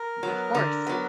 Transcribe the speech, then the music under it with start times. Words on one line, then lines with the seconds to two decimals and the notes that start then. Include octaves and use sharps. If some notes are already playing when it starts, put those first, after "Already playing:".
Of course.
Already playing: A#4
0.23 F#3 B3
0.55 D3
0.87 F#3 B3